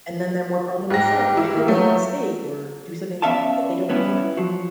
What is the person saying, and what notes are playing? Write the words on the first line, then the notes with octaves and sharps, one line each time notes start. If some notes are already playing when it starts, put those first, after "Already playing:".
And then they're more prone to mess up and ma or make a mistake or do something that they don't want.
G#2 G4 A#6
E4
A#3
F3 F#3 A3
B3 C#4 D5 E5 F5 A5
G2 B3 C#4 E4
F3 F#3